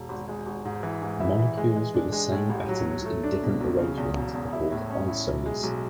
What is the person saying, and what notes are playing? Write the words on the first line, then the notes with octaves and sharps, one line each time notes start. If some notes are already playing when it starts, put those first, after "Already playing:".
Molecules with the same atoms in different arrangements are called isomers.
Already playing: E1
G#1
G#3
G#1
G#2
E3
G#2
E4
E3
G#3
G#3
D4
G#3
A2
A1
F#3
F#3
A3
D4
B2
B1
C#3
E2
E1
E2
E4
A2
C#4
E4
B1
G#3
B1